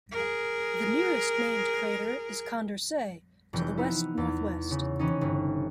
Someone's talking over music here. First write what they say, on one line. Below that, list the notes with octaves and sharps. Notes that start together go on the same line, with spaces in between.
The nearest named crater is Condorcet to the west-northwest.
G#4 A#4
F1 E3 G6
B3 D#4 E4
E2
C#3
C3 E3 C#4 D#4
G1